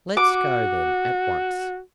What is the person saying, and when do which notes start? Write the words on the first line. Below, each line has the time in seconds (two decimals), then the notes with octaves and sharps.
"Let's go then, at once."
0.17 F#4 D6